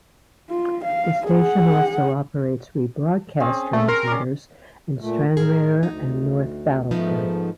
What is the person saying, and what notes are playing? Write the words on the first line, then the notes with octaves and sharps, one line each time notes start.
The station also operates rebroadcast transmitters in Stranraer and North Battleford.
F4
F5
G#4 F#5
C4 C#4 G#4
A3
A#4 C6
C#4 D5
A#2 A3
A2 G#4 A#4
D2 D#4
G#2 F3 A3 B3 D#4